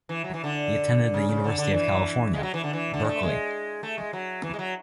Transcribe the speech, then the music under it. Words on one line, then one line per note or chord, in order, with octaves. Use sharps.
He attended the University of California, Berkeley.
E3
F#3
E3
D3
C#3
C#3
D3
D3
E3
G#3
F#3
E3
D3
E3
D3
G#3
A3
G#3
A3
G#3
F#3
E3
G#3
F#3